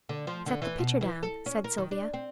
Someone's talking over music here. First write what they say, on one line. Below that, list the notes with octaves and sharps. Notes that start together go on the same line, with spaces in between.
"Set the pitcher down," said Sylvia.
D3
F3
D3
E3
B2
E3
A4
C#4
A#4
D#3
D4
C4